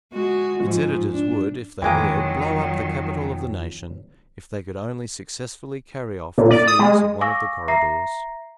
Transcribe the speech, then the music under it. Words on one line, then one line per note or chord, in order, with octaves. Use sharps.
Its editors would, if they dared, blow up the Capitol of the nation if they could only successfully carry off the frieze of one of the corridors.
G#3 F#4
G#2 F3
D4
F2 D#3 E3 F#3 G#3 A#3 G5 G#5
A#2
D5
D#6
G#3
F5 G#5 C#6 D6 E6 A#6
E5 A#5 A#6 C7